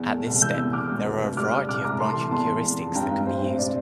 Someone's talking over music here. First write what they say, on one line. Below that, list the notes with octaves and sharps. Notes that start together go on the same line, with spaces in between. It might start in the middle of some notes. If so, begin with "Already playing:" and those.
At this step, there are a variety of branching heuristics that can be used.
Already playing: E2
A3
C2
E3 E6 G6
E2
E1 D6 F6
D2
F1
F1
G3 D6 F6
G3
C2 D6 F6
C2 A#5 D6
A3 A5 C6
E3
E2 A5 C6
E2
C3
F2
G2 G5 A#5
G2
A1 C5
C4
C3 D5